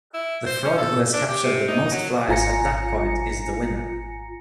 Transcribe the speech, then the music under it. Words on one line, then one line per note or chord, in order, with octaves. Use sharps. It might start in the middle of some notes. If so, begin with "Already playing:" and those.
The frog who has captured the most flies at that point is the winner.
E4
C5
C#4
A4
D4
G4
C3
D#4
F#3
G#1 F4 G#5 A#5 A#6 C#7